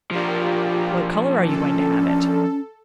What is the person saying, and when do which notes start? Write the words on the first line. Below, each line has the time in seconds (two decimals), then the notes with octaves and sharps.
"What color are you going to have it?"
0.11 F3 D4 F4 G4 A#4
1.47 C#4 A4